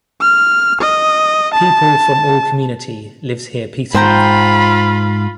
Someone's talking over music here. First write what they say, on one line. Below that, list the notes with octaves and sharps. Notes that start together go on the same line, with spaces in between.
People From All Community Lives here Peacefully.
F6
D#5
A5
G#2 F4 C5 G5 A#5 B5